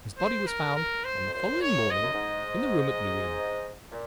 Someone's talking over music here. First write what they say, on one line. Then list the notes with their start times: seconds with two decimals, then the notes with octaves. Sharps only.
His body was found on the following morning in the room at New Inn.
0.18 C5
0.47 A#4
0.76 A#4
1.04 C5
1.26 F2
1.33 F#2 C5
1.62 C#5
1.76 A#2
1.88 G#2 D#5
2.01 F#2
2.12 G#2
3.91 A#2